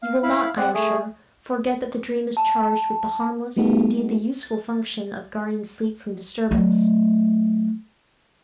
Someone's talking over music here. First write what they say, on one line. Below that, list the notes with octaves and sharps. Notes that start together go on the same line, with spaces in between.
You will not, I am sure, forget that the dream is charged with the harmless, indeed the useful function of guarding sleep from disturbance.
F5
E4 F5 B5
C4 D5 F#5
A3 G#4
A5
G3 A3 B3 D#4 F#4 G#4
A6
F#3 A3